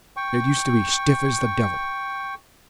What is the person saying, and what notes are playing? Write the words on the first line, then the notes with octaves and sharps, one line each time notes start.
It used to be stiff as the devil.
G5 C#6